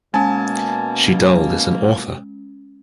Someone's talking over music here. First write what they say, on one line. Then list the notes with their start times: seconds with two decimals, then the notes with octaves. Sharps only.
Shital is an author.
0.14 B2 G#3 A#3 C#4 G#5 A5